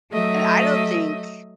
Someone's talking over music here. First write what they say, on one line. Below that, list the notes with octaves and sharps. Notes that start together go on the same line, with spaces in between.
and I don't think
F#3 A3 D#5 E5